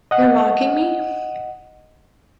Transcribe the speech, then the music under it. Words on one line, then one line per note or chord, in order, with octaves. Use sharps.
You’re mocking me?
D#5 F#5